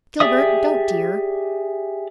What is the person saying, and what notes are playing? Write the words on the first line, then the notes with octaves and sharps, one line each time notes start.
Gilbert, don't, dear!
G4 G#4 D5 E5 D#6